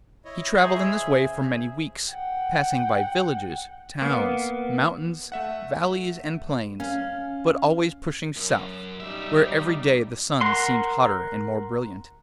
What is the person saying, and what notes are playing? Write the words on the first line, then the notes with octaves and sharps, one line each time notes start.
He travelled in this way for many weeks, passing by villages, towns, mountains, valleys, and plains, but always pushing south, where every day the sun seemed hotter and more brilliant.
E4 C#5 D#5
G#4 C5 E5
C#3
F#5 G5
A#3 B3
A3 E5 F#5
C#4 F5
F#2
B1 G3 D#4 E5
A#4 F#5 C6